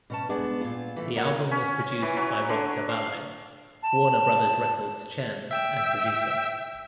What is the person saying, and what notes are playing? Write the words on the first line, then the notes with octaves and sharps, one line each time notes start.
The album was produced by Rob Cavallo, Warner Brothers Records' chairman and producer.
B2 C#4 A5
G#3 B3 D4 G#4
A#2 F4
E3 A3
A#2 A#3 A#4 C#5 D#5 F#5
C#4
E3
F#3
D3
F5
A5
E5 G5 E6